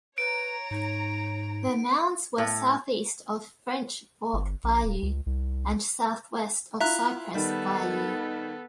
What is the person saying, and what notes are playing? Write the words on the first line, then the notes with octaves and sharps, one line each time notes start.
The mounds were southeast of French Fork Bayou and southwest of Cypress Bayou.
B4 C#5 A#5 D7
G#2 D#4
A2
G1
A#1
D1
C#2
C2
E4 F4 E5 A#5 F#6
D#3 G3 B3 A4